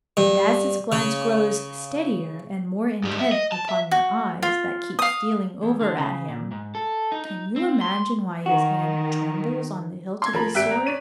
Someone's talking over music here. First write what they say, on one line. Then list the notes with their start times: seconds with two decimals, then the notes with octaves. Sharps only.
And as his glance grows steadier and more intent upon your eyes that keep stealing over at him, can you imagine why his hand trembles on the hilt of his sword?
0.17 G2
0.92 C#3
3.03 G#2 G3
3.19 E5
3.32 D#5
3.52 A5
3.69 E5
3.91 F#4
4.42 F4
4.99 F5 D#6
5.63 E2
5.81 D3
5.98 C#3
6.28 A#2
6.51 G#2
6.75 A4
7.12 D#4
7.25 D#4
7.56 C4
7.81 C6
8.46 D#3 F#4
10.22 C6 G#6
10.33 F3 A#4 B5
10.54 G#1 G4 E5 F#6 B6 D7
10.71 A#5
10.86 C#5 D5 D#7